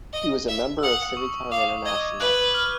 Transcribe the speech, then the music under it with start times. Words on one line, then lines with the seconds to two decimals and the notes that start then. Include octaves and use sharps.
He was a member of Civitan International.
0.13 D#5
0.48 E5
0.79 E6
0.83 F#5 D#6
1.17 C#6
1.51 F5 D6
1.86 D#5 G#6
2.20 B4 F#6
2.54 F6